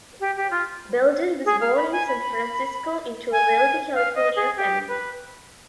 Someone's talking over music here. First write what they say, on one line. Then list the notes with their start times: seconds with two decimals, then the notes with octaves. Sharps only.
Belden was born in San Francisco into a wealthy California family.
0.20 G4
0.37 G4
0.51 F4
1.45 G#4
1.61 F5
1.76 B5
1.92 G#5
2.07 B5
3.32 G#5
3.94 F5
4.15 D#5
4.36 G#4
4.57 G4
4.88 B4